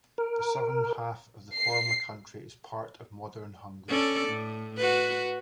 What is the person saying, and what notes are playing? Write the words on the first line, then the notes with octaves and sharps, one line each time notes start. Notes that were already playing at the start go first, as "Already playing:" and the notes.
The southern half of the former county is part of modern Hungary.
A#4
C7
C#4 A4 D5
A2
F#4 B4